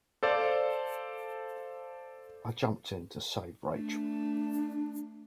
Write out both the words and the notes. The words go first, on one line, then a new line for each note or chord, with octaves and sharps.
I jumped in to save Rachel.
A4 C5 D5 F5
A3 D4